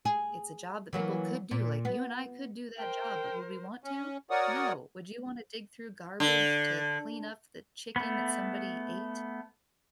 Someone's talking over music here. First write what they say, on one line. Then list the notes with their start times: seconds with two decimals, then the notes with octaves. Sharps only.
it's a job that people could do, like, you and I could do that job, but would we want to? No. Would you wanna dig through garbage to clean up the chicken that somebody ate?
0.05 G#4
0.93 E3 F#3 A#3
1.51 A#2
1.85 B3
2.78 A#4 C5 G5
3.84 C#4
4.30 F#4 A#4 C#5 D5 F#5 D#6
6.20 D3
7.96 A3 B3